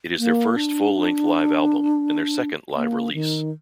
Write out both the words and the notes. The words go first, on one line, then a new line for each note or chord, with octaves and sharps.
It is their first full-length live album, and their second live release.
A#3
D4
A#3
D#3